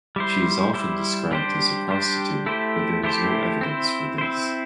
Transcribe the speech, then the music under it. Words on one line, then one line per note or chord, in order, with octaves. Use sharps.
She is often described as a prostitute, but there is no evidence for this.
G3 E4 C5
G3 E4 C5
G3 D4 G4 C5
G3 D4 G4 C5
A3 E4 G4 C5
A3 E4 G4 C5
C4 E4 C5
C4 E4 C5